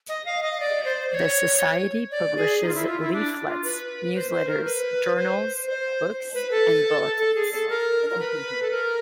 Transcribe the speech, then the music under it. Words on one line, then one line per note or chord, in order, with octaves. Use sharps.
The Society publishes leaflets, newsletters, journals, books and bulletins.
D#5
F5
D#5
D5
C5
D5
C#5
D5
G#4
D#4
F4
E4
F4
E4
D4
F4
B4
C5
C5
A#4
B4
C5
C5
B4
A4
A4
G#4
A4
A#4
A#4
B4
A4
A#4